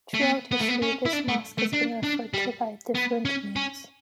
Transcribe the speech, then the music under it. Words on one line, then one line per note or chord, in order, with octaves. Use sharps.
Throughout history, this mosque has been referred to by different names.
A3
B3
B3
A3
B3
C#4
E4
D4
A3
A3
D4
D4
G3
B3
C#4
C#4